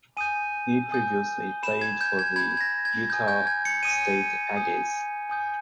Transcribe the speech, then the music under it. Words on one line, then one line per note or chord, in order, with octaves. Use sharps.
He previously played for the Utah State Aggies.
G#5 D#6 G6 D#7
G#5 D#6 G6
B5 G6 E7
G#6
G6
G#6
B5 G6 G#6
G#6
A#6
G#6
G#5 D#6 G6
G6
G#6
C#7
G#5 D#6 G6 D#7
G#5 D#6 G6
G#5 D#6 G6